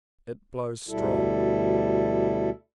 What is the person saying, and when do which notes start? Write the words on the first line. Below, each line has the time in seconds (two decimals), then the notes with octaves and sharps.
It blows strong.
0.89 D2 B2 G3 E4 A4